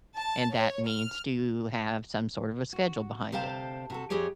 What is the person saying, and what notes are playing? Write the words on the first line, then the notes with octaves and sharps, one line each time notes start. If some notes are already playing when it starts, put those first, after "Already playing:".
and that means to have some sort of a schedule behind it.
A5
C#5
F6
F#4
D2 C3 C5 F5 G5 A5
C3 F#4 A4
F2 C4 G4 G#4 C#5